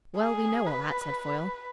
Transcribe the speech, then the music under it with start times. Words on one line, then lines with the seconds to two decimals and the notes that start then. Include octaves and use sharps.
"Well, we know all that," said Foyle.
0.17 G#4
0.66 B4